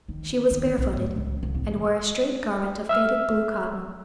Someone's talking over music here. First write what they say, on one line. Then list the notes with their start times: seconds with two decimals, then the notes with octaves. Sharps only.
She was barefooted, and wore a straight garment of faded blue cotton.
0.08 D#3
0.51 D#3
0.78 B1
0.97 A2
1.16 C#2
1.43 C2
1.54 A1
2.89 E5 E6 F6